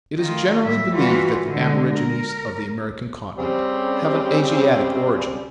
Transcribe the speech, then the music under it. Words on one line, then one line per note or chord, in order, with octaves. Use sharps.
It is generally believed that the Aborigines of the American continent have an Asiatic origin.
D#3 A3 F4
A2 G3 E5
E3 G3 F4 F#4
A2 D3 G#3
A#4
C#3 G3 C4